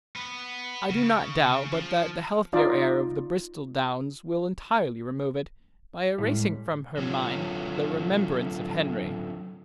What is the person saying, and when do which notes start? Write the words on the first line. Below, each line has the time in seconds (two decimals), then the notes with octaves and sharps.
I do not doubt but that the healthy air of the Bristol downs will intirely remove it, by erasing from her Mind the remembrance of Henry.
0.16 B3
0.90 C#3
1.72 F3
2.53 D#4 F4 D5
6.18 A2 G3 G#3
6.98 D3 F#3 C4 F4 C#5